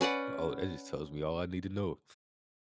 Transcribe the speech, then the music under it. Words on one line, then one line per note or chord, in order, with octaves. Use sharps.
Oh, that just tells me all I need to know.
C#4 B4 D5 F#5